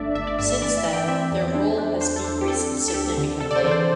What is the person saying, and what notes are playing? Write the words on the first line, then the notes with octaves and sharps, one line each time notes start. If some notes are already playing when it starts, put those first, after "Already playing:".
Since then their role has decreased significantly.
Already playing: G1 A3 D4 D5 E5
G1 E5
D5
G2 E5
E5
E3 D5
E5
E3
G5
C4 E5
E2
D4 C5
D4
D4 C5
A4
D4
G4
C4 A4
D2
A4
D2 G4
D3
C3 A4
D5
C5
E3 D5
C5